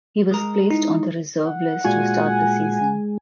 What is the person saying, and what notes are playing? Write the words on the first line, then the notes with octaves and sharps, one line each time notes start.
He was placed on the reserve list to start the season.
G#3 A#4
D#4 E4
F#5
A#2 G#3 F4 F#4 G#5